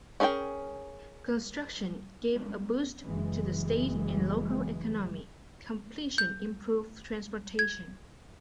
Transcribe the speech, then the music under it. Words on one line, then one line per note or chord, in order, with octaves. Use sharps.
Construction gave a boost to the state and local economy, completion improved transportation.
C#4 G#4 A#4 C#5 G5
F#1 E3 G#3
G6
G#6